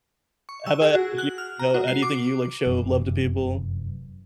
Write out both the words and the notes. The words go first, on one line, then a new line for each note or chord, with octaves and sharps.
How 'bout uh, you know how do you think you, like, show love to people?
C#6
E6
G#4
F#4
F#6
F6
A#5
F#4
C7
D6
F1 F#2 E3